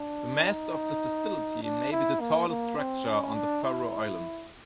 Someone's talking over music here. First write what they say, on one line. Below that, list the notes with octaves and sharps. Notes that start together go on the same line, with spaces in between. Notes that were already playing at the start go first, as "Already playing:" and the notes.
The mast of the facility may be the tallest structure on the Faroe Islands.
Already playing: D4
D#4
D4
E4
A#3
A#3
C4
C#4
D4
E4